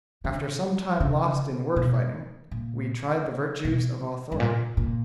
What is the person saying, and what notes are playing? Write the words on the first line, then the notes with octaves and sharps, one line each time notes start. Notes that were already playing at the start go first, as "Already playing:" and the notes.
After some time lost in word-fighting, we tried the virtues of authority.
D3
C#3
B2
A#2
B2
G2
A#2
A#2